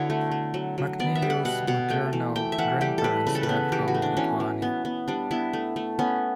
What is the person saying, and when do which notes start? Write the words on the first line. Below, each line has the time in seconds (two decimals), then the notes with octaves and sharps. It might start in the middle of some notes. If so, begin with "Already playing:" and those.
McNeill's maternal grandparents were from Lithuania.
Already playing: D3 B3 E4 F#4 C#5
0.10 A3
0.31 A3
0.54 F#3
0.78 F#3
0.99 B3 D5
1.15 E5
1.22 G3
1.30 F#5
1.45 B2 F#5
1.67 B2 F#5
1.90 A3 G5
2.13 E3
2.35 A3 G5
2.52 E5
2.58 E3 F#5
2.81 G3 G4
2.98 A4
3.04 G3 B4
3.27 C#3 B4
3.35 A4
3.43 B4
3.49 B3
3.72 E3 G4
3.88 F#4
3.94 A3
4.02 D4
4.17 E3 C#4
4.40 E3
4.62 B3
4.85 B3
5.08 G3 D4
5.31 B3 E4
5.53 A3
5.76 A3
5.99 B3 C#4